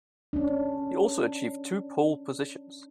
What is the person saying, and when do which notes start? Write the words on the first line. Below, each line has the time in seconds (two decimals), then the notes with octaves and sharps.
He also achieved two pole positions.
0.33 C#4 D4